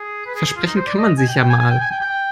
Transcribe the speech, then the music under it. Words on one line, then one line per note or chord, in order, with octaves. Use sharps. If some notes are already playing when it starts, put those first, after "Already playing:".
Versprechen kann man sich ja mal.
Already playing: G#4
B4
G#4
G#4
F4
D#4
C5
D5
D#5
G#5
G5
G5
G#5
G#5
G5
G#5
G5
G5